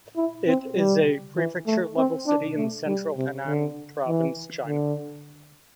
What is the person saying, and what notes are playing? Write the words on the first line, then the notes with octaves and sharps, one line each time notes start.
It is a prefecture-level city in central Henan province, China.
E4
C4
G3
E3
A3
C4
D4
A3
G3
C3
D3
E3
D3